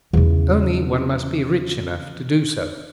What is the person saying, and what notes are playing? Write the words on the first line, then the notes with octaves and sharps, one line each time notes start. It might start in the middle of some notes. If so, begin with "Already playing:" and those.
Only, one must be rich enough to do so.
E2 C#3